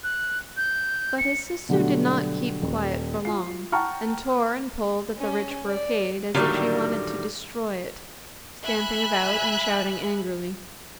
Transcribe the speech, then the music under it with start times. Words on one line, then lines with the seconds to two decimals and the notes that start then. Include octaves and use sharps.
But his sister did not keep quiet for long, and tore and pulled at the rich brocade as if she wanted to destroy it, stamping about and shouting angrily.
0.04 F#6
0.57 G6
1.18 C#7
1.69 B2 D3 F#3 G3 A3 F#4
2.62 D#1
3.25 F4 C7
3.72 F#5 G5 A5 A#5 C#6 F6
5.18 C#4
5.66 D5
6.34 A2 D3 D#3 F#3 G3 A#3
8.63 E5 G#5 B5 F#6